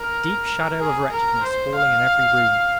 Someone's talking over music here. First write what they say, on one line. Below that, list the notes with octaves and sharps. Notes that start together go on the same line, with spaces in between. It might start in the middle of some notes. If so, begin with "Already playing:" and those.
Deep shadow of wretchedness falling in every room.
Already playing: A#4
G#4
A#4
C5
F5